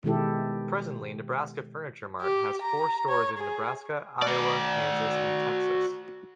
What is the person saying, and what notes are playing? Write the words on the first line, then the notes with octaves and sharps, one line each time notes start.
Presently, Nebraska Furniture Mart has four stores in Nebraska, Iowa, Kansas, and Texas.
B2 D#3 G#3 E4 G4 A4
G4
A#5
C#5
G#4
F#4 D5